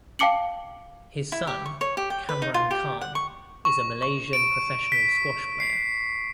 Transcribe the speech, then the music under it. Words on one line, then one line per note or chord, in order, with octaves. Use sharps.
His son Kamran Khan is a Malaysian professional squash player.
F5 G5 A5 D6 C#7 F#7
E4
G4
C#6
C#5
G4
G5
B4
D#4
F4
G4
F#5
C#6
C#6
C#6
D7
B6
C7